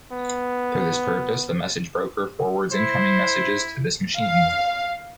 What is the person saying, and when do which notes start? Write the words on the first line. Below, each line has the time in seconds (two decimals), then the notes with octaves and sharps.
For this purpose the Message Broker forwards incoming messages to this machine.
0.12 B3
2.73 E4 C5
4.17 F5